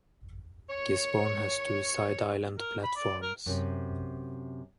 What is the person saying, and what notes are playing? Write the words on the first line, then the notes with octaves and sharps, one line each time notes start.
Gisborne has two side island platforms.
D#2 C#5
A#4
B5
D5
A#4
F#2 C3